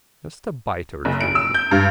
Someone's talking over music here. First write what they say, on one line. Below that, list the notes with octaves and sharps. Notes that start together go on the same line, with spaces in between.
Just a bite or two.
F#1
D7
E6
G6
G2